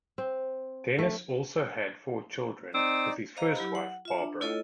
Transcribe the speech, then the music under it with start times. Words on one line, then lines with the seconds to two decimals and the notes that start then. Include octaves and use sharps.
Dennis also had four children with his first wife Barbara.
0.18 C4
0.99 A3
2.74 C4 D#4 D5
3.36 C5 D#5 F5 A#5
3.55 F#3 E4 G4 B5
3.75 F#5
4.05 F4 E5
4.18 D4
4.41 A3 E4 F4 A4 C#5 D#5